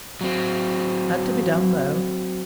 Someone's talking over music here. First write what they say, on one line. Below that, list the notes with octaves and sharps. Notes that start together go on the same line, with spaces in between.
Had to be done, though.
F#3 C4